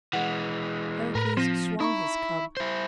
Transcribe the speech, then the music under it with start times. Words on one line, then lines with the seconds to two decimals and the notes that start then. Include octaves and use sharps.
Heracles swung his club.
0.13 E3 G#3 F#5
1.15 A2 A#4 B4
1.37 F3 C4 A#6
1.80 D#4 E4 A#5 C#6
2.57 E4 C5